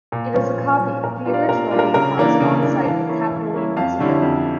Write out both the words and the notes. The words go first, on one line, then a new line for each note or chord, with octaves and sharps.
It is a copy, the original being housed on-site in the Capitoline museum.
A#2
F3 C#4
A#2
F3 C#4
A#2 A#4
G3 A#3 D4 F4
D5 F5
A#2 A#4
G3 A#3 D4 F4
A#4
C#3 A#4
E3 A#3 D4
C#3
E3 A#3 D4
E3 F5 A5
A#3 C#4 E4
E3
A#3 C#4 E4
F2 F5 A5
D3 G3 C#4 E4
F2